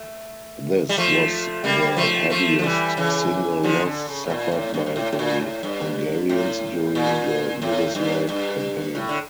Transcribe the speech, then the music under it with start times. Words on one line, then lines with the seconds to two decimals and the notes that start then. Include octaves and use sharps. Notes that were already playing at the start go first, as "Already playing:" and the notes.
This was the heaviest single loss suffered by the Hungarians during the Yugoslav campaign.
Already playing: A3
0.89 G3
0.98 F3 A3
1.64 G3 A#3
1.97 F3 A3
2.30 F3 A3
2.59 F3
2.63 E3 G3
2.97 C#3 E3
3.63 D3 F3
3.85 D3
4.08 C#3
4.26 A2
4.30 A#2
4.51 A2
4.74 G2
4.86 G2
4.96 A2
5.12 A2
5.19 A#2
5.40 A2
5.63 G2
6.29 A2
6.95 A#2
7.62 A2
7.95 G2
8.29 G2
8.95 A2
9.09 D3